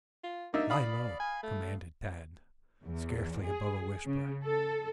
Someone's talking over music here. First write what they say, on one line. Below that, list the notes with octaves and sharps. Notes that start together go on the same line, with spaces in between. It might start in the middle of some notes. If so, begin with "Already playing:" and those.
"Lie low!" commanded Tad, scarcely above a whisper.
F4
A#3 D4 D#4 E5
D5 F5 B5 D#6
G#5
A3
E2
G#4
C#3
A4